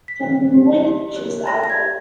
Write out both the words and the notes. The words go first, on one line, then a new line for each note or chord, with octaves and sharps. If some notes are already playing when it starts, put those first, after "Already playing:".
From the "Moving Pictures" album.
B6
C#5
G4
G4
C#5
C#5 A#6
A#6
G#6
G4